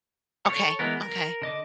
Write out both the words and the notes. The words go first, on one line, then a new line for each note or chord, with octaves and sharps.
Okay, okay.
A4 C#5
E3 G#3 B3 A#4
A#4
D3 D#5 D6